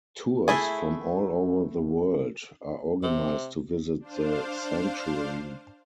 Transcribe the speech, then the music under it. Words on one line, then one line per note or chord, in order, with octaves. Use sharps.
Tours from all over the world are organized to visit the Sanctuary.
A3 E4 G#4
C3
D4 C5 F5